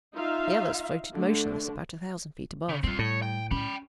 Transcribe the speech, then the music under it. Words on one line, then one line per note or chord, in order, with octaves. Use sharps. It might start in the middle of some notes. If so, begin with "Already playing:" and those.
The others floated motionless about a thousand feet above.
D#4 F4 E5 F5
D3 A3 D4
C#3
G3 C4 F4
A2 C#5
G5
C#4 G5 B5